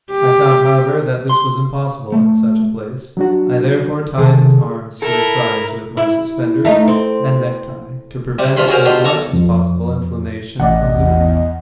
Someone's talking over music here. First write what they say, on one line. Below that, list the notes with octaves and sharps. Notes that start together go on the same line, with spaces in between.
I found, however, that this was impossible in such a place. I therefore tied his arms to his sides with my suspenders and necktie, to prevent as much as possible inflammation from movement.
G4
C6
A3
F#3 D4 F#4
C3 D#3 G#4 A4
E4 A4 A#4
E4
A3 D#4
C4
C3 G3
G2 C3 F4 B5 C6
C#4 F#4 G#4 A#4 C5
B2 D3 F4 G4 C6
B1 A4 A#5 C#6 D6
F2
A1 D5 D#5 F#5
E2